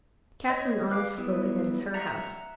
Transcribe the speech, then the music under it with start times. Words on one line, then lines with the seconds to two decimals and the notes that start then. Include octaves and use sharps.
Catherine always spoke of it as her house.
0.50 C#5 D#5
0.91 B4 F5 D6
1.18 F#3 G3 B3 E4
1.94 E5 F#5 A#5